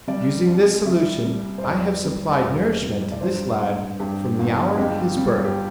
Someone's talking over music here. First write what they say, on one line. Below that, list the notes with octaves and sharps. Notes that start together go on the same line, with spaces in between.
Using this solution, I have supplied nourishment to this lad from the hour of his birth.
G3 D5
C2
G3 E5
G3
C5
E2 D5
G3
E2
G3
D5
G2 C5
G2
G2 G4
G1
G3 G4
G3
G4